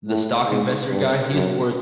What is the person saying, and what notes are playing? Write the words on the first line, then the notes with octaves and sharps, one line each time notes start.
the stock investor guy, he is worth
A2
G#2
G2
F#2